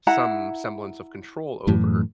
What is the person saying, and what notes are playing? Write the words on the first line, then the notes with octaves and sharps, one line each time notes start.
some semblance of control over,
E4 F#5 A#5
F#2 A2 E3